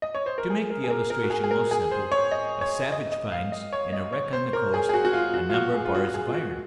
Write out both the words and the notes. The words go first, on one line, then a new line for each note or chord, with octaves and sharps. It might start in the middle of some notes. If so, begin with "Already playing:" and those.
To make the illustration most simple: a savage finds in a wreck on the coast a number of bars of iron.
D#5
C#5
C5
A#4
G#4
A#4
G#4
A#4
A#4
F#4
G#4
G#4
A#4
G#4
C5
C#5
D#5
C#5
D#5
D#5
F5
D#5
C#5
D#5
C#5
C5
A#4
G#4
G#4
F#4
F#4
F4
F#4
F4
F#4
G#4
F4
F#4
G#4
F4
F#4
F#4